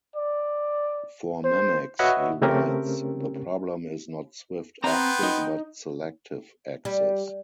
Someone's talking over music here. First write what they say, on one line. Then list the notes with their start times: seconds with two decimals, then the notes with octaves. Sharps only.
"For Memex," he writes, "the problem is not swift access, but selective access".
0.16 D5
1.44 C5
1.99 F#4 B4 C#5 D#5 E5 F#5
2.42 C#3 A3 C4 C#4 G4 A#4
4.84 B3 C4 G5 A#5 C6
5.23 D#4
6.85 G3